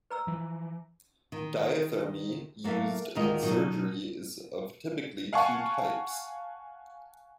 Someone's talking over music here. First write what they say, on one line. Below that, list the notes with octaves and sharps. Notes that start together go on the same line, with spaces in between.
Diathermy used in surgery is of typically two types.
B4 A#5 E6
E3 F3
D#3
F#3 A#3 A4 E5 F5
D2 A#2 D#3 G#3 A#4 D#5
B2 F#3 D#4
F5 F#5 G#5 A5 C#6